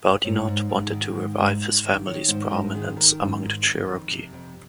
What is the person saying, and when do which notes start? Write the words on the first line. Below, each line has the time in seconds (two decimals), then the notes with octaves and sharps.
Boudinot wanted to revive his family's prominence among the Cherokee.
0.24 G#2 C#5
0.47 G#2
0.69 G#2
0.92 D#3
1.16 G#2
1.38 G#2
1.60 G#2
1.83 D#3
2.06 D#3 C#5
2.28 G#2 C5
2.51 G#2 A#4
2.74 D#3 G#4
2.96 D#3 A#4
3.20 G#2
3.42 D#3
3.64 D#3
3.88 F2
4.11 C3
4.33 F2